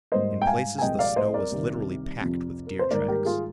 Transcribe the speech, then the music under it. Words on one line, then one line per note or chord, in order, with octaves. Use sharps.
In places the snow was literally packed with deer tracks.
G#2 G3 A#3 C5 D#5
G5
F5 G#5
G#5
C2 A#2 F3 G#3 D#5 G5
D5 F5
C5 D#5
A#4 D5
C2 C3 D#3 A#3
F2 C3 F3 C4
A#4
C5
G#2 D#3 G3 A#3 A#4 D5
G4 A#4
F4 G#4